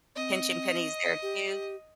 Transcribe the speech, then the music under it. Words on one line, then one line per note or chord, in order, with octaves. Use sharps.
pinching pennies there too.
C4 D#5
G4